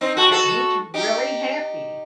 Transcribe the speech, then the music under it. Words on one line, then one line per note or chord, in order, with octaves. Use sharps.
that made you really happy?
C4 D#4
F#4 A4
G4
F#4 A4
D#4 G4